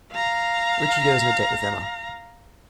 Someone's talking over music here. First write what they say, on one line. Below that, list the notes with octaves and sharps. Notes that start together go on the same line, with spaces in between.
Richie goes on a date with Emma.
F5 A#5